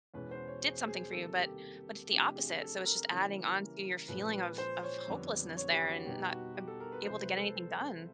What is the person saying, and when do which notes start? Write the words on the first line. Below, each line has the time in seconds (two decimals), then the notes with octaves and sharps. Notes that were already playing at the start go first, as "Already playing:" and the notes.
did something for you. But but it's the opposite. So it's just adding onto your feeling of of hopelessness there and not ab able to get anything done.
0.14 E2 B2 G#3 C#4 B4
0.31 C5
0.48 C#5
0.64 G#4
0.88 G#4
1.12 C3 D#3 G3 A#3 A4
1.38 G4
2.11 C3 F3 A3 D4 G4
2.36 G#4
2.60 A4
2.85 A#4
3.10 C#3 E3 G3 A#3 C#4
4.08 A#2 F3 G#3 C#4 B4
4.33 B4
4.58 C5
4.83 C#5
5.08 F2 D3 G3 B3 D4
5.57 C#5
5.72 G4
5.89 F#4
6.06 B2 G3 B3 D#4 G4
6.30 F#4
6.55 G4
6.68 A4
6.80 A#4
6.92 B4
7.04 C2 C3 F3 G#3 C5
7.21 B4
7.37 A4